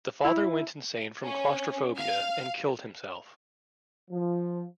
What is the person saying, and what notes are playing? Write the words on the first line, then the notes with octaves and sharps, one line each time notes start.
The father went insane from claustrophobia and killed himself.
E4
C#4
F5
F3